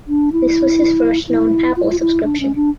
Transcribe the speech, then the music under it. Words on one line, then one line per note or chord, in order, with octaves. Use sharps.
This was his first known papal subscription.
D4
E4
E4
F4
E4
F4
E4
D4
C#4
D4